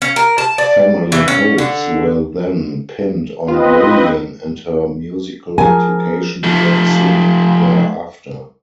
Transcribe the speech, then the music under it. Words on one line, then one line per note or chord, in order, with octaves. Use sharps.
Family hopes were then pinned on Lillian and her musical education began soon thereafter.
C#4
A#4
A5
D5
E3
C#4
D3
C4 F4 B4 D#5
F3 G#4 A#4 G#5
F3 A3